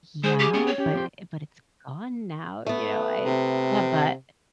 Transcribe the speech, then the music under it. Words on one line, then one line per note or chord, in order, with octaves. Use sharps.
yeah, but it but it's gone now," you know? I yeah, "But
G#3 G#4 C5
G4
B3 C#4 G4
C#5
C#4 G4
F3 C4 C5
A3 B3
C3